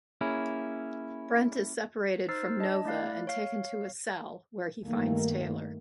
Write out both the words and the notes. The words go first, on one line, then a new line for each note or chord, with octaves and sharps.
Brent is separated from Nova and taken to a cell, where he finds Taylor.
A#3 C#4 E4 G#4
D#4 C5 E6 F6 A6 C7
D4 D#5 A5
A3 E4 D5 F5 F#6
C#5 F5
G2 D#3 A3 A#3